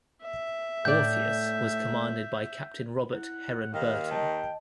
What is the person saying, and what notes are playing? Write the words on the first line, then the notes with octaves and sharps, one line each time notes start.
"Orpheus" was commanded by Captain Robert Heron Burton.
E5
A2 D5 G6
E4 F#5
D#2 D#3 F5 G5
D#5 G5 A5